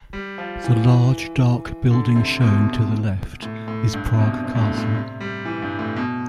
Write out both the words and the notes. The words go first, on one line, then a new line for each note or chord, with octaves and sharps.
The large, dark building shown to the left is Prague Castle.
G3
F3
E3
E3
D3
C3
B2
A2
A2
G2
C3
B2
C3
G2
A2
A2
C3
G3
E3
G2
A2
B2